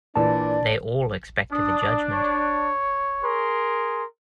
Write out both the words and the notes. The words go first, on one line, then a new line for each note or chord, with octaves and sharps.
They all expected a judgment.
A#2 E3 D4 D5 A5
D4 D#6
C#5
G#4 A#4 C6